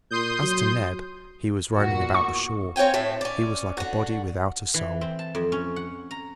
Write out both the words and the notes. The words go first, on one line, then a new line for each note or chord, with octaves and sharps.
As to Neb, he was roaming about the shore. He was like a body without a soul.
A#2 C6 D#6 G6
F#3
E2 A#2 F#4
C#6
C4 C#5 F5 G5 G#5
A2 A3 C4 A4
C#4 D5
D3 F#4
E3
C4
A5
F2
C#4
F#5
A#5